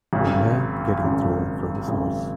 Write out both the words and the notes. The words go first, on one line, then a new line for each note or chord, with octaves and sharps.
A man getting thrown from his horse.
G#1 F#2 C#3
G#1 F#2 C#3
G#1 F#2 C#3